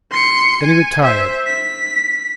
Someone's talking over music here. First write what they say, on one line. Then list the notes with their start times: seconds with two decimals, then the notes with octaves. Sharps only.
Then he retired.
0.12 C6 C#7
0.63 G#5
1.03 C5 E5
1.47 B6